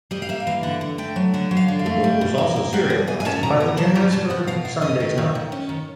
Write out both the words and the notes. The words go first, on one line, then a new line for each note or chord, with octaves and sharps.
The book was also serialized by the Johannesburg "Sunday Times".
G3 D#5
F5
A#3 E5
E3 F5
D3 F#5
D3
A3 G5
F#3
D3 F#5
F#3
F5
D3
F5
A3
G3
B2
A#3
A#3
G3 F#5
B2
B2 G#5
G#5
C#4 A5
B2 A#5
B3 A#5
F#3 A5
F#3 A#5
B2 A5
B2 F#5
B2 F5
B2 F5
C#4 D#5
D#3
D#3
D#3
C#4
D#3